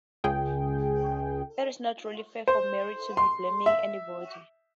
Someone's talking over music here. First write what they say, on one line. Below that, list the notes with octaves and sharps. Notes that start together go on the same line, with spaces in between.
It's not really fair for Mary to be blaming anybody.
C#2 G#4 G5
C5
C6
E5